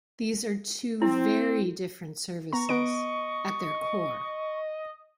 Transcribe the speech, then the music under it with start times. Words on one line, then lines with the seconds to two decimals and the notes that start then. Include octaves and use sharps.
These are two very different services at their core.
1.02 C4 E4
2.53 B3 A#5 C#6
2.69 B3 B4 D#5 D7